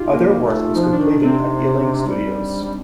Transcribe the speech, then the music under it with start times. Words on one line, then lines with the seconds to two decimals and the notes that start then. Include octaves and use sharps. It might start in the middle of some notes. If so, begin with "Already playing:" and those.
Other work was completed at Ealing studios.
Already playing: D#4 F4 G4
0.10 A#3
0.43 A3
0.75 F3 D#4
0.92 D4
0.98 D#3
1.08 D4
1.19 C3
1.24 C4
2.07 G3
2.64 G3